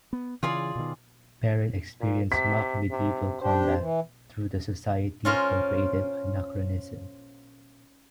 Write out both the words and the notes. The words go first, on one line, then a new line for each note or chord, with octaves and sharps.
Perrin experienced mock medieval combat through the Society for Creative Anachronism.
B3
C#3 E3 F4 G#4 D5
B2 D#3
A#2
C3 B6
C3
D4 G4 C5
E3
C#4 F4 A#4 C5